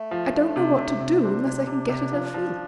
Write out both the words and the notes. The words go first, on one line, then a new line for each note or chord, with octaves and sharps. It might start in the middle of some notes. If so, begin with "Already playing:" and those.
"I don't know what to do, unless I can get at her feeling."
Already playing: A3
F3
F3
C3
C3
C3
C4 D4
C3
C3
C3
F3
F3